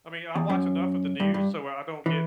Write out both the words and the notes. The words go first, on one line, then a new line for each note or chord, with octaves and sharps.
I mean, I watch enough of the news so I don't get
E2
F#2
G2
G2
E3